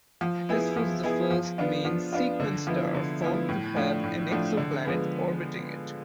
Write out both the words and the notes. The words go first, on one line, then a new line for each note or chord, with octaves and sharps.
This was the first main-sequence star found to have an exoplanet orbiting it.
F3
B3 E4 G#4
F3
B3 E4 G#4
F3
B3 D4 F4
F3
B3 D4 F4
D3
F3 B3 E4
D3
F3 B3 E4
A2
F3 A3 D4
A2
F3 A3 D4
D3
F3 G#3 B3